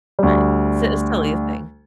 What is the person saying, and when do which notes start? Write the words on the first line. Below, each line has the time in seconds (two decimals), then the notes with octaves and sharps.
right, it's a silly thing.
0.19 D2 G3